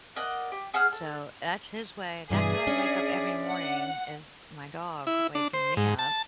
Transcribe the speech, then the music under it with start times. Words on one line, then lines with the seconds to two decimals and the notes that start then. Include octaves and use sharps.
So that's his way That's how I wake up every morning is my dog waking me up.
0.16 A#4 D5 D#5 F#5
0.52 G4
0.74 G#4 F#5 E6 F6
0.93 A4
2.30 G2 B2 E3 G#4 D5 E5 D6
2.67 C#4 D4
3.46 F#5
5.07 E4
5.35 D4
5.54 C5
5.77 G#2
5.99 A5